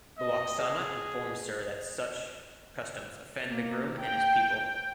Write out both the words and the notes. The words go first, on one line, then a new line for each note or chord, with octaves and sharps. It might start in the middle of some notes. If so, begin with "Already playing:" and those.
Lwaxana informs her that such customs offend the groom and his people.
D#5
G#4
A#3
G5